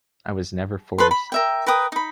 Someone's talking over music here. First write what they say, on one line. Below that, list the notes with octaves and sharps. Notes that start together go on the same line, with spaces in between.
I was never forced.
A4 B4 B5 C6
B5
A#4 E5 G5
A#4 B4 G5 D#6
D#4 B5